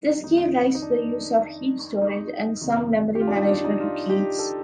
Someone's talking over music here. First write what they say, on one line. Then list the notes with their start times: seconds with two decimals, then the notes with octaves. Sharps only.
This gave rise to the use of heap storage and some memory management routines.
0.23 F2 D#3 D#4
0.75 D#4
0.82 D4
2.02 D#4
2.61 F2 C3 D#3
3.15 G4
3.20 F4
3.27 D4
3.35 D#4
3.50 D4
3.64 D#4
3.80 F4
4.10 G4
4.39 A4